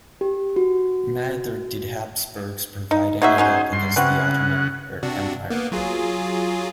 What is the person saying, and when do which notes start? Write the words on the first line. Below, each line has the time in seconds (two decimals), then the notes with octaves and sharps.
Neither did Habsburgs provide any help against the Ottoman Empire.
0.21 G4
0.56 F#4
2.91 D#4
3.22 D#4 F#4 G#4 C5 E5
3.38 C#4 D#4 F#4
3.73 G2 C6
3.96 C#3 E3 C4 F#4 F#5
5.03 C3 D4 F#4
5.50 A#3 B3
5.72 F#3 F4 G#4